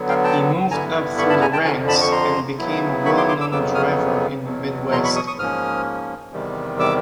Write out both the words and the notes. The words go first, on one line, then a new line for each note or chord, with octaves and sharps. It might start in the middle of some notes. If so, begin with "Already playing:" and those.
He moved up through the ranks, and became a well-known driver in the Midwest.
Already playing: D3 F#3 B3
F5 G5
G5 A5
G2 D3 G3 B3 E4 G#5 A#5
B5 C#6
A5 B5
G#5 A#5
G5 A5
F2 D3 F3 G#5 A#5
A5 B5
C#6
A#5 C6
C#3 F#3 B3 E4
B5 C#6
C6 D6
C6 D6
D6 E6
F2 C#3 F#3 B3 D6 E6
D#6 F6
E2 B2 F#3
A#5 C6
B5 C#6
C#6 D#6
C#6 D#6
G#2 F3 A#3 C#4 D#6 F6
E2 C3 D#3 G3
D6 E6